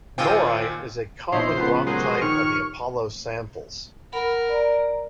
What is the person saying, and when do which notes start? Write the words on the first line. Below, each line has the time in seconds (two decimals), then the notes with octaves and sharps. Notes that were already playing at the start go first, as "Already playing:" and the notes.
Norite is a common rock type of the Apollo samples.
0.18 D#2 A#2 F4 C5 D#5 G5 G#5 E6
1.32 A#2 F3 D#4 E4 C5 C#5
1.57 C#2 B3
1.87 F#3 G#3 G4 A#4 C5 C#5
2.21 D#3 C#6 F6
4.13 A#4 F#5 B5
4.49 D5 A#5